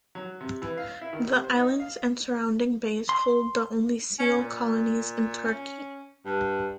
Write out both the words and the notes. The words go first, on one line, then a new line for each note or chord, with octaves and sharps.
The islands and surrounding bays hold the only seal colonies in Turkey.
F#3
C3
E3
F5
E4
D#3
C3
C5
D#4
F5
C6
C#4
A#2
C#4
G2